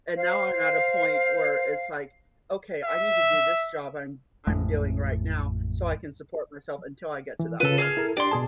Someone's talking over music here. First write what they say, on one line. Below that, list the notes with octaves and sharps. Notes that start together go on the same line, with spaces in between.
and now I'm at a point where it's, like, okay, I need to do this job I'm I'm doing right now, so, I can support myself until I get to that point.
C5 F5
E5
A1 F2 A2 G#3
E3
C#3 F4 A4 B4
G#4 A5 F6
E4 A4 A#4
D4 G4 D5 C6
B2 G#4 A5